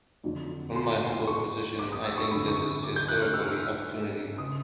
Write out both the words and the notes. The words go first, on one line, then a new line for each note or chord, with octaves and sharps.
From my humble position, I think this is a historical opportunity.
F2 D3 F#3
C6
C#6
D6
D#6
E6
C#6
G1 F#2 D3 B5
C#6
D6
G6
F#6
F6
E6
F6
C#3 D#6